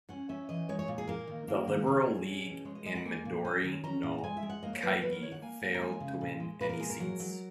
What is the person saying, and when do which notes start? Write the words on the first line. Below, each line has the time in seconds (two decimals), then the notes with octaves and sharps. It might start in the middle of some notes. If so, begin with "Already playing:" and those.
The Liberal League and Midori no kaigi failed to win any seats.
0.09 C#4 F#5
0.29 C#4 E5
0.49 E3 D#5
0.69 G#3 C#5
0.79 C#5
0.88 A#2
0.98 G#4
1.08 A#3 A#4
1.27 D#3
1.48 A#3
1.68 D#3
1.86 B2 G#4
2.06 B2
2.26 C#4
2.46 B2
2.65 G#3 C#5
2.75 D#5
2.86 G#3 D#5
2.95 F#5
3.05 A#3 G#5
3.25 A#2
3.45 C#4
3.64 D#3
3.84 C#4 A#5
4.03 A#2
4.18 A#5
4.24 G#3 G#5
4.37 E5
4.43 G#3
4.50 F#5
4.63 A#3 D#5
4.73 C#5
4.83 F#3 B4
4.93 A#4
5.02 B3 B4
5.12 A#4
5.22 D#3 C#5
5.32 F#5
5.42 A#3 G#5
5.61 A#3
5.75 A#5
5.81 G#3 G#5
6.00 C#3
6.21 A#2
6.40 G#3
6.61 A#2 B4
6.69 A#4
6.79 G#3 G#4
6.90 A#4
7.00 F#3
7.20 F#3